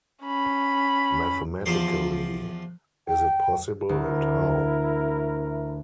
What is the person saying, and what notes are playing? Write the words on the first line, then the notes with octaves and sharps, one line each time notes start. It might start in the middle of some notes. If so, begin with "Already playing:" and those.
Mathematically, is it possible and how?
C#4 B5
E2 F3 G4 C5 C6
G5
D2 E4 A#4